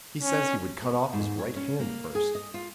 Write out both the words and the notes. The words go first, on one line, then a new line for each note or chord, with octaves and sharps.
"He says he would cut off his right hand first."
C#4
B3
G#2
C#5
C#4
A#3
G#4
D#5
F4